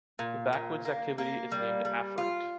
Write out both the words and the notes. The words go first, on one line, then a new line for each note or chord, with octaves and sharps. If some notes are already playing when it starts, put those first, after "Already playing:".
The backwards activity is named “afferent”.
A#2
A#2
A#3
A#3
G3
G3
F4